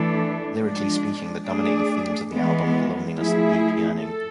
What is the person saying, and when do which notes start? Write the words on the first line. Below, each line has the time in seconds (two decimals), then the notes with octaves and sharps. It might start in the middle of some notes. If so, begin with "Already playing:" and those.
Lyrically speaking, the dominating themes of the album were loneliness and deep yearning.
Already playing: E3 A3 D4 A4
0.59 F3 G#3 D4
1.44 A3 D4 G#4 D5
2.30 E3 G#3 B3
3.15 F3 A3 E4 G#4
4.00 A4